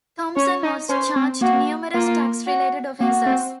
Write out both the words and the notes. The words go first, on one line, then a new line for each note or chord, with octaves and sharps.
Thompson was charged numerous tax-related offenses.
C#4 C#5
D#4
C#4 C5
C4
A#3 F#4
A#3 F4
F#4
A#3 F#4
C4